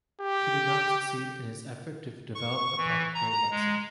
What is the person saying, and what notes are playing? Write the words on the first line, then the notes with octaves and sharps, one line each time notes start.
He did not succeed in his effort to develop a practical vaccine.
G4
C#6
E3
A#5
G#3